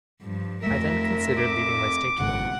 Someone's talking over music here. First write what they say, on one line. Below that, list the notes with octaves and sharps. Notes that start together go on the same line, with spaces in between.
I then considered leaving my stateroom.
G2 F3
F2 A3 A#4 E5
D6
G#1 G#2 C#3 F#5